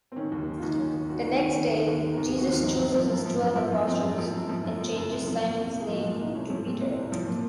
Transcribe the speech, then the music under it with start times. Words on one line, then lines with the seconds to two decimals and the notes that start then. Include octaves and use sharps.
The next day, Jesus chooses his twelve apostles and changes Simon's name to Peter.
0.12 C4
0.16 D#3 C#4
0.32 D#2
0.47 D#3
0.57 D#2 F4
0.68 D#4
0.78 D#3 C#4
0.94 D#2
1.09 D#3 F#4
1.20 D#2 F4
1.30 D#4
1.39 D#3 C#4
1.55 D#2
1.71 D#3
1.86 D#2
2.02 D#3
2.13 D#2 A#4
2.27 G#4
2.32 D#3
2.38 F#4
2.47 D#2 F4
2.63 F3 D#4
2.79 F#2
2.94 F3
3.10 F#2
3.25 F3
3.40 F#2
3.56 F3
3.72 F#2
3.87 F3 C4
4.03 F#2
4.18 F3
4.33 F#2
4.49 F3
4.64 F#2
4.81 F3
4.96 F#2
5.10 C2 C4
5.27 F3
5.42 A#2
5.57 C2
5.72 C2
5.80 G#4
5.88 F3 F#4
6.04 A#2 F4
6.19 C2 D#4
6.35 C2 C#4
6.50 F3 C#4
6.66 A#2 C4
6.81 C2 C4
6.97 C2
7.12 F3
7.27 A#2